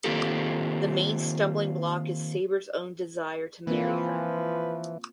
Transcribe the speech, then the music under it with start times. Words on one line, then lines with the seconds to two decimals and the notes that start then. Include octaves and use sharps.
The main stumbling block is Saber’s own desire to marry her.
0.04 D#3 A#3 C4 F4 G4 A4
3.67 E3 F3 A#3 C4 F4 B4